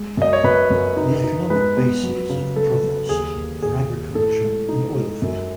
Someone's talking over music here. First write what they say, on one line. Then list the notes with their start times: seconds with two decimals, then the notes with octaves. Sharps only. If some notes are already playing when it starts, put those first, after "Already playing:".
The economic bases of Provost are agriculture and oilfield.
Already playing: G#3
0.17 F#2 D#5
0.33 C#5
0.44 F#2 B4
0.71 F#2
0.97 D#4
1.24 D#4
1.50 G#3 B4
1.77 B3
2.03 F#3
2.30 C#3
2.56 F#3 A4
2.83 F#3
3.09 D#2 G#4
3.36 D#2
3.62 D#2 G#4
3.89 D#2
4.15 A2 A4
4.42 G#3
4.69 D#4
4.95 G#3
5.22 F#2